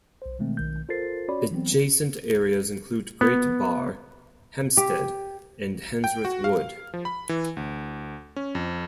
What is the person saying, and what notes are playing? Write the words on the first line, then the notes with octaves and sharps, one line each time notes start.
Adjacent areas include Great Barr, Hamstead and Handsworth Wood.
B1 C5
B2 D#3 G#3 A3 C4
B1 D#3 G6
F4 A4 A#4 C5 A6 C7
C#4 F#4 C#5 D5 B5
E3 F#3 B3 C4
B3
G4
G5
F#4
F5
F3
B5
E3
D2
C#4
F2